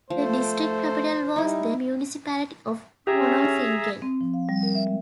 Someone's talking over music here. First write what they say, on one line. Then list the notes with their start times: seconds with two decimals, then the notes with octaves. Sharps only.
The district capital was the municipality of Konolfingen.
0.10 F3 A3 C5
1.36 G3 D#4 E4
3.07 C#4 G4 G#4 E5 A#5
4.02 C4
4.21 F3
4.34 F5
4.49 G3
4.63 A#4
4.75 E5
4.87 G#3